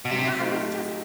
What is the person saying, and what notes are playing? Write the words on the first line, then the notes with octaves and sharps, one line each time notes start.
Yeah, I was just
B2
C3 F#3
A3 C4 D#4